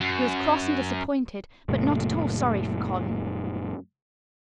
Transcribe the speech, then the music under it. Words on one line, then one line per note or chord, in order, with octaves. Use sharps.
She was cross and disappointed but not at all sorry for Colin.
F#2
F#1 A#2 A3